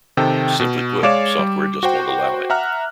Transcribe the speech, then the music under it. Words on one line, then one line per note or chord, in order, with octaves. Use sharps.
Simply put, software just won't allow it.
C3 D#3 A4 G5
B2
G#3 C#5 D5 F5 D6 E7
G3
F#4 C5 G5
E5 F#5 A#5 F6 F#6